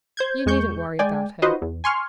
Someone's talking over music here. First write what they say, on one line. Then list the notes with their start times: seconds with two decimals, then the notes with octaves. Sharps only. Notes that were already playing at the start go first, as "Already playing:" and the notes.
You needn't worry about her.'
0.17 C5 G6 G#6
0.46 E2 G#3 C#6 G6
0.99 G#3 D5 G5 G#5
1.42 D#4 F4 F#4 B4 C5 D#5
1.62 E2
1.84 G#5 C6 C#6 F6